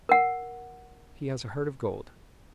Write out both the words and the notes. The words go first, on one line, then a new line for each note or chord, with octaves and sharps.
He has a heart of gold.
A#4 F#5